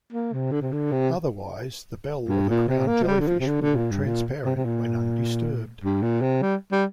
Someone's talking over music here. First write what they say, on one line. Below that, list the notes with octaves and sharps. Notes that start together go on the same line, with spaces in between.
Otherwise, the bell of a crown jellyfish will look transparent when undisturbed.
A#3
C3
D3
C3
D3
C3
G2
A#2
C3
A#3
F3
G3
D3
F3
C3
D3
D3
A#2
G2
A#2
C3
C3
A#2
G2
A#2
C3
G3
G3